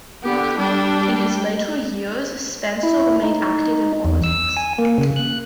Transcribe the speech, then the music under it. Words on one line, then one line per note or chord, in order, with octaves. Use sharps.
In his later years, Spencer remained active in politics.
D3 B3 G4
G3 D4 G5
E4
D#4
E2
E6
G#5
A#3
C#3
F#6